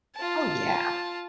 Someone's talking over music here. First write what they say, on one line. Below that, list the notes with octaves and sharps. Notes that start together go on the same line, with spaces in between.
Oh, yeah.
F4 A5